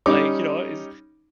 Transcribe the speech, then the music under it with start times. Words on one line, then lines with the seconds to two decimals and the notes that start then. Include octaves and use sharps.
Like, you know, it's
0.06 G3 C#4 D#4 D6